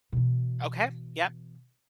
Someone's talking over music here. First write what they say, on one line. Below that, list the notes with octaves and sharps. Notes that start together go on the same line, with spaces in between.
Okay, yep.
B2 E3